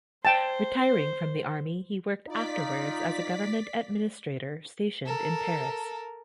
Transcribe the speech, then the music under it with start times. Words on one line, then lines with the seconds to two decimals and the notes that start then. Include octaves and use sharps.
Retiring from the army, he worked afterwards as a government administrator stationed in Paris.
0.25 C5 G5 A5
2.29 D#4 F4 D5 B6
5.05 A4 A#4